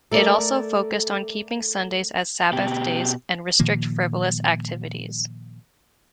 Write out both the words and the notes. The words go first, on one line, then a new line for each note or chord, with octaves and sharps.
It also focused on keeping Sundays as Sabbath days and restrict frivolous activities.
A3 A4 A#4 D5
B2 G4
A#2 D#3 F3 A#3